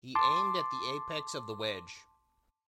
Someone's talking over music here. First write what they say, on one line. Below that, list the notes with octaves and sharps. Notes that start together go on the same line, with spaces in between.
He aimed at the apex of the wedge.
A5 C6 D6